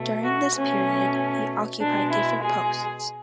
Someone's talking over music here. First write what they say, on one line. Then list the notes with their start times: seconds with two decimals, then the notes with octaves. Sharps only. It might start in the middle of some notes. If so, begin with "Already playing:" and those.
During this period he occupied different posts.
Already playing: B2 A3
0.24 F#4
0.55 B2 A3 C#4
1.80 B2 G#3 D4
2.11 E4
2.43 G#4